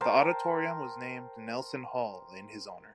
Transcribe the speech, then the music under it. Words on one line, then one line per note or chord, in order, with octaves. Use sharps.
The auditorium was named "Nelson Hall" in his honor.
A#4 C5 G5 A5